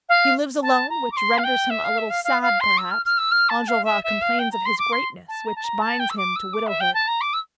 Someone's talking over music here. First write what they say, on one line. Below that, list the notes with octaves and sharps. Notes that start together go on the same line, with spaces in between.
He lives alone, which renders him a little sad, perhaps; Enjolras complains of his greatness, which binds him to widowhood.
F5
A5
A#5
D6
C6
F5
G5
E5
F5
E5
F5
F5
F5
C6
E6
F6
F6
E6
F6
A5
F5
E5
E5
F5
G5
A#5
C6
D6
C6
A5
A#5
A5
A#5
A5
G5
E6
D6
E6
D6
E5
G5
A5
A#5
D6
E6